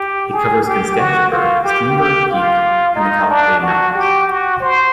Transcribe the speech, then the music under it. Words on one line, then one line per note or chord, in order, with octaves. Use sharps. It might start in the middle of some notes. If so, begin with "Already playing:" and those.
It covers Constantiaberg, Steenberg Peak and the Kalk Bay mountains.
Already playing: G4
G#4
G4
F#4
F4
G4
G4
F4
D#4
D4
F#4
G4
F#4
C5